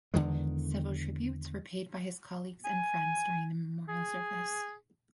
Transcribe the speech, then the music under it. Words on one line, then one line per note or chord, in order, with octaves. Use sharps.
Several tributes were paid by his colleagues and friends during the memorial service.
E2 D3 D#3 G#3
G#5
G#4